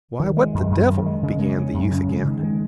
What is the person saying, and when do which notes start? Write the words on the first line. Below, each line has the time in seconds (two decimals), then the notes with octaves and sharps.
"Why, what the devil--" began the youth again.
0.20 D#3
0.37 G#3
0.54 F#2
0.71 F#2
0.88 D#3
1.06 G#3
1.23 C#3
1.39 G#3
1.57 C#4
1.74 F#2
1.92 C#3
2.09 G#3
2.25 D#3
2.43 G#3